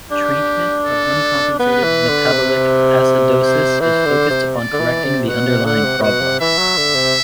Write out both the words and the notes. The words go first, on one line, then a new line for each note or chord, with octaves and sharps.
Treatment of uncompensated metabolic acidosis is focused upon correcting the underlying problem.
D4 G4
A4
B3 B4
E3
D3
C3
C5
E3 C5
D3
C3
D5
D3
E3
C3
B2 F#5
C3
D3 F#5
C3
C3
B2 F#5
C3
E3 E5
F#3
D3
C3